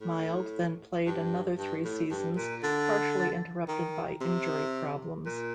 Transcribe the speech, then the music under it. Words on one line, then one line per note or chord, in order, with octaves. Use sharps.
Mild then played another three seasons, partially interrupted by injury problems.
A2
G2
G2
A2
G2
A#2
D3
D#3
C3
A#2